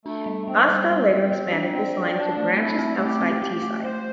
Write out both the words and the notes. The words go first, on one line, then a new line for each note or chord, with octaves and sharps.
Asda later expanded this line to branches outside Teesside.
A3 D4
G3
G3 C4
G3
G3
G3
G3
D4
C4 D5
D5
D4 D5
A3
C4 E4
C4
A3 G4
C4
A3 G4
A3
A3 C5